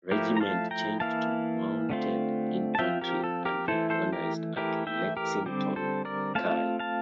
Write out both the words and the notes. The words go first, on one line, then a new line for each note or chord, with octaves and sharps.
Regiment changed to mounted infantry and reorganized at Lexington, Ky.
F3 A3 E4 G4 A#4
A#5
F5 A5
G5 A#5
E3 A#3 E4 F5 A5
D3 A3 C4 F4
A5
F3 C4 F4 E5 G5
G4 A#4
A4
G4 A#4
E3 A3 E4 A4 C5
A4 C5
G4 A#4
E3 A3 E4 G4 A#4
E5 G5
G4 A#4
D3 G3 C4 G4
A4 C5
A#4 D5
A3 C4 F4 F5 A5
F5 A5